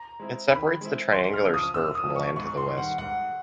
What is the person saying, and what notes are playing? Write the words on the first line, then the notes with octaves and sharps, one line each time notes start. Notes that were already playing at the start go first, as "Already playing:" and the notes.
It separates the triangular spur from land to the west.
Already playing: A#5
G#3 C4 E4
D#3 B5
G#3 C4 E4
F#2 C6
F6
C#3 F3
D#6
F#2 E6
D#6
C#3 F3
C#6
G#2 C#6
C6
D#3 G3
F#5
G#2 F#5